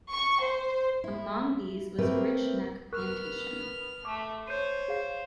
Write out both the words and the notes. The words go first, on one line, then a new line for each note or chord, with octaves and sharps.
Among these was Rich Neck Plantation.
C#6
C5
E4
A3 A#3 C4 E4 A#4 B4
B3 A#4 C#6 F6 F#6
A3 C#6 D6
C5 C#5 G6 D#7
G#4 F5 C7